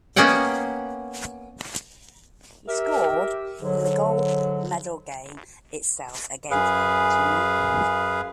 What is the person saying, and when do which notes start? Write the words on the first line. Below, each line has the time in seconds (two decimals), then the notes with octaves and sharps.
He scored in the Gold Medal game itself against Argentina.
0.16 A#3 B3 C#4 D#5 F#5 G5
2.68 G4 A#4 E5
3.61 G#2 D3 F#3
6.51 F#2 G#4 B4 F5